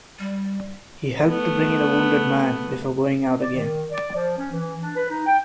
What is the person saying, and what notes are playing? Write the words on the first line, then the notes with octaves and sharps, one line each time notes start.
He helped to bring in a wounded man, before going out again.
G3
A3 B3
D5
D#3
D5
F3
C#4
E3
D4
B4
D#4
G5